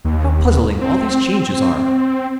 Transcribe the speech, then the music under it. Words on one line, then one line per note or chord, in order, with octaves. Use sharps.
How puzzling all these changes are!
D#2
C4